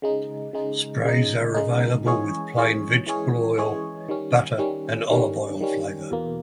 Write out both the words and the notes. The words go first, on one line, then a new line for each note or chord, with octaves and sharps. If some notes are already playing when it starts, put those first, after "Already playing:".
Sprays are available with plain vegetable oil, butter and olive oil flavor.
C#3 G#3 D#4
C#3 G#3 D#4
C#3 G#3 D#4
C#3 G#3 D#4
E3 G#3 C#4 G#4 C#5
E3 G#3 C#4 G#4 C#5
E3 G#3 C#4 G#4 C#5
E3 G#3 C#4 G#4 C#5
D#3 G3 C#4
D#3 G3 C#4
D#3 G3 C#4
D#3 G3 C#4
E2 B2 A#3